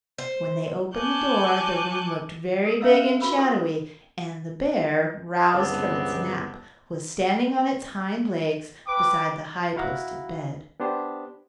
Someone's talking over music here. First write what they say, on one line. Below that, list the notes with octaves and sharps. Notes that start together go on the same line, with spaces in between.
When they opened the door the room looked very big and shadowy, and the bear, roused from its nap, was standing on its hind legs beside the high-posted bed.
C5
G#5 A5 C#6 D6 F#6 G6
A4 A#4
C#4 B4 E5 F5 A#5 E6
C5
F4 F#4 B4 B5 E6
A4 C5
G1 C#2 B3 C4 D4
B4 G5 D6
E4 F#4 F5 F#5 A#5 B5
B3 D4 G4 C5